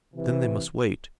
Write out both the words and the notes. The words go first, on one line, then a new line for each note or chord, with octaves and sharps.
Then they must wait.
C3 E3